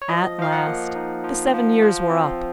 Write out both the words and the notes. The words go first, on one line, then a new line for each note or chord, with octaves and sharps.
At last the seven years were up.
C#5
F3 D#5
F3 F5
F#5
A#3
D#4
F3
F3
F3
C4